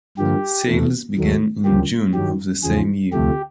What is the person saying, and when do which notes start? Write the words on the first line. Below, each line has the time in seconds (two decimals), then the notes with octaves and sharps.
Sales began in June of the same year.
0.18 G2 D3 F3 A#3 G4
0.67 E2 C3 E3 A3
1.17 D#2 D#3 F#3 A3
1.65 D2 C#3 F3 A#3 G4
2.14 G2 D#3 F#3 G4
2.63 E2 C#3 F3 G#4
3.12 D2 C3 F3 A3 G4